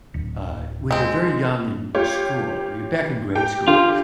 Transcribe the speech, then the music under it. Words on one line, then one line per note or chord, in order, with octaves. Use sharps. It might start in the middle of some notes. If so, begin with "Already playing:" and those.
uh when you're very young in school you're back in grade school,
D1
G#3 C4
F4 G4 C#5
G4 G5
D3 F4 G4